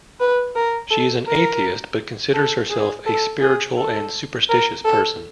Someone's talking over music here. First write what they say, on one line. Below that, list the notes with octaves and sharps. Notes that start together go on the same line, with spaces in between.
She is an atheist but considers herself a spiritual and superstitious person.
B4
A#4
A4
A#4
A4
G#4
A4
G#4
A4
A#4
A4